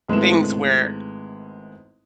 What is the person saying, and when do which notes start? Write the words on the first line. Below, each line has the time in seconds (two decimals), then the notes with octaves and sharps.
things where
0.08 G#1 G#3 A3 B3 E4 E7